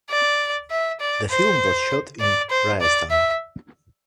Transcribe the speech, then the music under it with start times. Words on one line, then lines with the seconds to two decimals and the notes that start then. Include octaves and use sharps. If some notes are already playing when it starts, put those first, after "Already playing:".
The film was shot in Rajasthan.
0.10 D5
0.71 E5
1.00 D5
1.30 C5
2.21 D5
2.50 C5
2.81 D5
3.11 E5